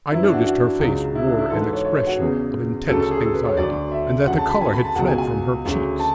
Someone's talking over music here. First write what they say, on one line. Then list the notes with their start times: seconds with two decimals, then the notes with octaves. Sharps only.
I noticed her face wore an expression of intense anxiety and that the colour had fled from her cheeks.
0.12 F#2 E3 E4
0.23 D4
0.34 F#4
0.46 F#4
0.80 C#2 C#3 F#3
1.15 E4
1.27 D4
1.38 E4
1.50 G#2 E3 A4
1.61 B4
1.73 C#5
1.85 C#5
1.96 C#5
2.07 F#4
2.18 E2 C#3 E3 G#4
2.88 D2 C#3 F#3 A4
3.00 A4
3.11 G#4
3.23 A4
3.34 B4
3.45 C#5
3.57 D2 D3 F#3 D5
3.91 E5
4.27 D2 C#3 F#3 F#5
4.38 A5
4.49 B5
4.61 G#5
4.73 B5
4.85 A5
4.95 C#2 B2 F#3 F#5
5.08 G#5
5.18 G#5
5.65 D2 C#3 F#3
6.00 A5